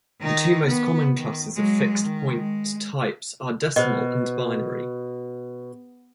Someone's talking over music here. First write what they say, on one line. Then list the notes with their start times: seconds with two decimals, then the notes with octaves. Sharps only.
The two most common classes of fixed-point types are decimal and binary.
0.21 D#3 D#4
0.68 B3
1.16 D#3
1.55 F#3 G#3
2.04 D#3
2.38 G#3
3.76 B2 C5 D#5